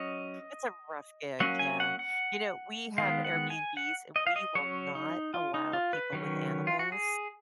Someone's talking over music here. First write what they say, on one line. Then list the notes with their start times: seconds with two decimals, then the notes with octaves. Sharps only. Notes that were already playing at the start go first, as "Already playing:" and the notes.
that's a rough gig, yeah. You know, we have Airbnb's, and we will not allow people with animals
Already playing: F#3 C#4 D#5
1.40 F#3 A#3 C#4 F#5
1.59 G#5
1.80 F#5
1.99 F#5
2.98 D#3 G#3 B3 F5
3.25 F#5
3.50 G#5
3.77 F#5
4.16 D#5
4.27 F5
4.36 D#5
4.55 F#3 C#4 C#5
4.95 D#4
5.34 F4
5.54 D#4
5.73 F4
5.93 B4
6.13 D#3 F#3 C#4
6.67 F4
6.79 F#4
6.92 G#4